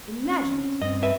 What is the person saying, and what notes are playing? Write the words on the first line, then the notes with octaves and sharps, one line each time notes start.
Imagine it!
C4 C#4
G2 C4 D#5
B4 E5